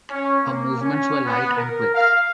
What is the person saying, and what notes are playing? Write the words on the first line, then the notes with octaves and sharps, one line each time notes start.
Her movements were light and quick.
C#4
A#3
C#4
B3
A#4
F5